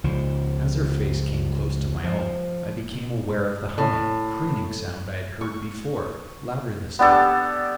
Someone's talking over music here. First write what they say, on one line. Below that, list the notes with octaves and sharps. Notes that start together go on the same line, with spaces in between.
As her face came close to my own, I became aware of the humming, crooning sound I had heard before, louder this time.
C#2 F3
F3
A2
C#6
B3 D4 G4 A4